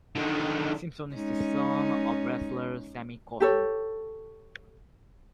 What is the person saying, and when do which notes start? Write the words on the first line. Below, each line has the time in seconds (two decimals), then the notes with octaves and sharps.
Simpson is the son of wrestler Sammy Cohen.
0.16 D3 D#3
1.15 G#3 C#4 D#4
3.40 G4 A4 C#5